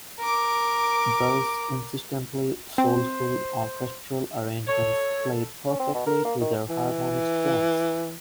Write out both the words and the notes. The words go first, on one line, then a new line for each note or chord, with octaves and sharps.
Bell's insistently soulful orchestral arrangements played perfectly to their harmonic strengths.
A#4 D6
C4 C5
A4 C#5
C#4
C4
B2
A#4
A#3
D#3
E3